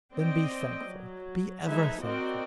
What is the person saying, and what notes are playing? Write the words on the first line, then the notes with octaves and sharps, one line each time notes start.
Then be thankful--be ever thankful.
C4 D5 D#5 G5
F#3
F3 G#3 D#4 B4 E5 G#5
C4 F#4 A#4 D5 D#5 G5